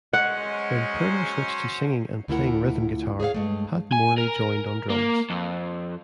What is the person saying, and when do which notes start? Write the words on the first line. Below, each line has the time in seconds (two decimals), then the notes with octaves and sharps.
When Pirner switched to singing and playing rhythm guitar, Pat Morley joined on drums.
0.13 F#3 G#3 C#4 C5 F#5
2.28 D2 A3 E4 F4 A#4 F#5
3.20 G#4 C#5 E5 F5
3.34 G2 G#3 A3
3.93 G#5
4.18 A#4
4.90 A#3
5.30 F2